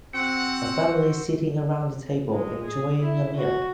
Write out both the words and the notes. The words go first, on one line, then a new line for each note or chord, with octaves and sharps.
A family sitting around a table enjoying a meal.
C4 F#4 C5 F#5 E6 C#7
G#3
G#4
E4
F#4